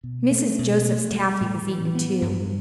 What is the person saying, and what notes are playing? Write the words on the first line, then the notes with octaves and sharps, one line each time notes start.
Mrs. Joseph's taffy was eaten too.
B2
A3
B2
A3
G3
A2
E3
B3
G2